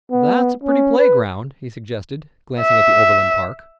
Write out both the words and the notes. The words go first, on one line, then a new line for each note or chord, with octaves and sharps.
"That's a pretty playground," he suggested, glancing at the Oberlin Park.
B3
C#4
B4
E5